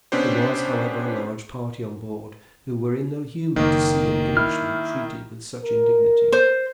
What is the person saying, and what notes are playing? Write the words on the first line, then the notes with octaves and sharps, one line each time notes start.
There was, however, a large party on board who were in no humour to see an Englishman treated with such indignity.
C3 B3 C#4 D4 G4 C5
F#1 D#3 A#3
E4 F6
A#4
C5